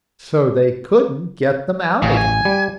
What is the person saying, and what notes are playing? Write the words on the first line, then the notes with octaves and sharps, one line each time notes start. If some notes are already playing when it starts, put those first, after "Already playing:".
So they couldn't get them out again.
A1 C#3
G#5
G3